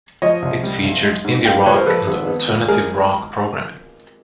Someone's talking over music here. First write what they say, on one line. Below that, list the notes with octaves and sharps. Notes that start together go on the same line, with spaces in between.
It featured indie rock and alternative rock programming.
F3 C#5 D#5
C2
G3
B1
G#3
G#2
A#3 F5 G5
A#2 B4 C#5
A#4 C5
F3 A4 B4
G#1
B3
A#2
G#3 G#4 A#4